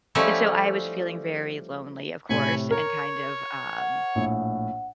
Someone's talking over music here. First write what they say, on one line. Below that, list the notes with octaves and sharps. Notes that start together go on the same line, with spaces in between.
And so I was feeling very lonely, of course, and kind of, um,
F3 G3 A3 C#4 D#4 E4
A2 C3 G#5 B5 C#6
A#4 C#5
F#5
A#1 A2